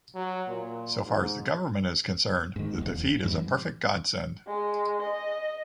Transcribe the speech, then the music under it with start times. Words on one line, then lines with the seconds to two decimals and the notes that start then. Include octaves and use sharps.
So far as the government is concerned, the defeat is a perfect godsend.
0.15 F#3
0.48 A#2
1.05 G#2
2.56 G#2 D#3
2.78 D#1 A1 E2
3.23 F2 G#2 E3 G3
4.46 G#3
5.01 D#5